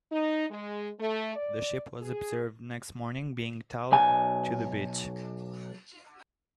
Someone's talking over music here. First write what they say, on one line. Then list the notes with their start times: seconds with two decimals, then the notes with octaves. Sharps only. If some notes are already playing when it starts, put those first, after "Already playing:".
The ship was observed next morning being towed to the beach.
0.12 D#4
0.50 G#3
0.99 A3
1.36 D5
2.01 G#4
3.92 B1 G#5